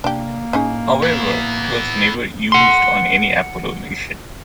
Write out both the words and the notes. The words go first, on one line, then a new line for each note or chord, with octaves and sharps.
However, it was never used on any Apollo mission.
C3 A#3 D4 G4
A2 C#4 D#4 G#4
B3 E4
F#5 C6